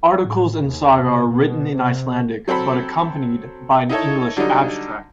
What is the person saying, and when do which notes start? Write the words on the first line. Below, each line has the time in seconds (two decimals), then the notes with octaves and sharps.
Articles in "Saga" are written in Icelandic but accompanied by an English abstract.
0.20 A2
0.63 D#2
0.98 C3
1.29 B2
1.73 C3
2.48 F#3 C4 A4 B5
3.89 D#4 E4 A4 C#5
4.37 D3 F#3 G3 D#4